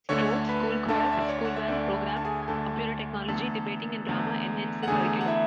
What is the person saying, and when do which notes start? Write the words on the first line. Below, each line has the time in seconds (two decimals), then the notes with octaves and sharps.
Sport, School Choir, School Band Program, Computer Technology, Debating and Drama enhance the curriculum.
0.09 D2 D3 A3 C#5 C#6
0.49 B4 B5
0.88 D2 D3 A3 A4 A5
1.12 E5
1.21 D5
1.29 C#5
1.45 F#5
1.56 E5
1.68 D2 D3 A3 D5
2.08 G#5
2.17 A5
2.25 G#4 G#5
2.43 G#5
2.48 D2 D3 A3 A4 A5
3.28 E2 D3 A3 A4 A5
4.08 E2 D3 A3
4.83 F#5
4.87 E2 D3 A3 G#4 G#5
5.21 F#5
5.27 E4 E5